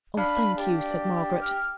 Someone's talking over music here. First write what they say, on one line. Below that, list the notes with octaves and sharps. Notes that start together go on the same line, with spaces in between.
'Oh, thank you!' said Margaret.
D4 F5 B5
G4 D5
F6